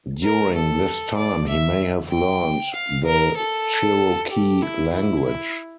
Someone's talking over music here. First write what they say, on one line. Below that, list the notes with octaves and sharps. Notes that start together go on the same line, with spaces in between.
During this time he may have learned the Cherokee language.
A#4
A4
D5
E5
G5
F5
A#4
A4
G4
E4
E4
E4